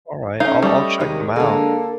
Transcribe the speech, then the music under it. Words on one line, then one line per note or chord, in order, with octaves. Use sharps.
Alright, I'll I'll check them out.
A3 C#4 D#4 F5
G3 B4 D#5 C#6
D#2 C3 D#3 G#3
D3 G#3 A#3 A4